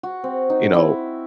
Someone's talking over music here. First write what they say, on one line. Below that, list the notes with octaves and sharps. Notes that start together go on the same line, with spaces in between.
you know,
F#4
C4
D#4
E4